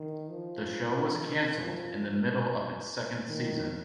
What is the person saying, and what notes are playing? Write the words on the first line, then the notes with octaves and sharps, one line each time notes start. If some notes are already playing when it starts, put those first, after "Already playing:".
The show was canceled in the middle of its second season.
Already playing: D#3
F3
D#3
F3
G3
D#3